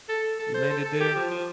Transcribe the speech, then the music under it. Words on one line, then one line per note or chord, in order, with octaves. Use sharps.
you landed there?
A4
A4
C5
A4
A4
G4
F3
F3